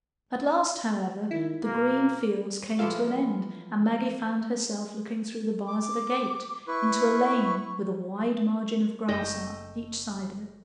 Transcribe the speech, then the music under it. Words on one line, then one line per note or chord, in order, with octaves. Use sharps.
At last, however, the green fields came to an end, and Maggie found herself looking through the bars of a gate into a lane with a wide margin of grass on each side of it.
D#3 E4
B2 A#3
E3 F3 F4 A4 F5
D6
E4 B4 C#6
F#1 A3 D#5 G5